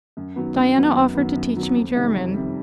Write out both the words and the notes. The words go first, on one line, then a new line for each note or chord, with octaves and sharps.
Diana offered to teach me German.
F#2
D#3 F#3 B3
F#2
D#3 F#3 B3
F#2
D#3 F#3 B3
F#2
D#3 F#3 B3
F2
C3 D#3 G3
F2
C3 D#3 G3